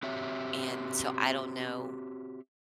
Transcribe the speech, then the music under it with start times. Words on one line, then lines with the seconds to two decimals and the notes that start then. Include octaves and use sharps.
and so, I don't know
0.03 C4 F#4 G4 C#5 E5